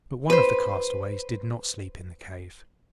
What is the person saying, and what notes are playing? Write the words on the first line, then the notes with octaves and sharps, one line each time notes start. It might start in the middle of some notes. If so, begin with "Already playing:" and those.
But one of the castaways did not sleep in the cave.
B4 C5